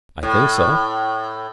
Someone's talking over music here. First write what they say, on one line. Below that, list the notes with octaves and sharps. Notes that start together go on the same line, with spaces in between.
"I think so."
A2